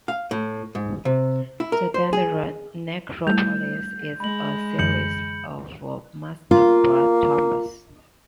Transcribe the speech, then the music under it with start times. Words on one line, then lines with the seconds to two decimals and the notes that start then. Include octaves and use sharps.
The Dendera necropolis is a series of mastaba tombs.
0.08 F5
0.31 A2
0.75 G#2
1.05 C3
1.60 E4
1.72 A#4
1.94 C5
2.13 G#4
3.27 G3 A3 E4 G6 F7
4.20 G#3 B5 F#7
4.79 F#2 D3 E3 G6 C#7 F#7
6.51 A#3 F4